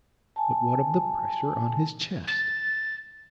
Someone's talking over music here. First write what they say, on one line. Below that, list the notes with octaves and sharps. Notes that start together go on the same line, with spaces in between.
But what of the pressure on his chest?
G#5 A5
A6